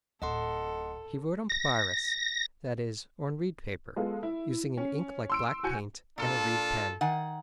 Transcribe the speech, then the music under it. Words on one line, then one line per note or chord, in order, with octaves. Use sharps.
He wrote on papyrus--that is, on reed paper, using an ink like black paint, and a reed pen.
D1 A4 D#5 F#5 C6
A#6
G#3 B3 F4 A4
E4
C#4
C6 E6 D7
F#4 G#5 G6 C#7
A#2 D4 F4 A4
D#3 F#5 G#5